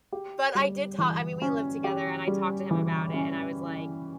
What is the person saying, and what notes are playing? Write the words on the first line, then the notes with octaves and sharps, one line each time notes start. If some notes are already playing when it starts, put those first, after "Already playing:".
But I did talk I mean, we lived together and I talked to him about it and I was like,
G4
G3
E3
C#4
G4
G3
E3
C#4